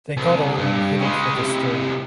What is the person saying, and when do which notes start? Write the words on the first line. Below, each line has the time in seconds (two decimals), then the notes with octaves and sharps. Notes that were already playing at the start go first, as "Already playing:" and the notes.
They got on and headed for the stern.
0.17 C2
0.57 G2
1.01 C#3 G#3
1.36 A2 C3